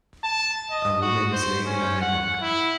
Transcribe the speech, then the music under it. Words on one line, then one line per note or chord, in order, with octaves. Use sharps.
A woman is laying in a hammock.
A5
D#5
F#4
C5
C#4
F#5
E4